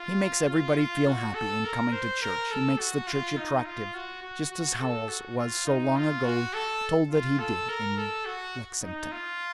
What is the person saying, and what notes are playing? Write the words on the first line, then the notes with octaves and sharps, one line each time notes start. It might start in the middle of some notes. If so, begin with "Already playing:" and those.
He makes everybody feel happy in coming to church; he makes the church attractive just as Howells was so long ago told that he did in Lexington.
Already playing: F4
F4
F4
F#4
A4
A#4
C5
A#4
A4
F#4
F4
D#4
F4
F#4
F#4
F#4
A4
F#4
F4
D#4
F4
F#4
A4
F4
A4
A#4
A4
F#4
D#4
F4